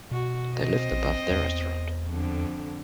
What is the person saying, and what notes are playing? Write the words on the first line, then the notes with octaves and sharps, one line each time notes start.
They lived above their restaurant.
B2 F#4
C4 C5 D#5
A#1
E2
F2 D3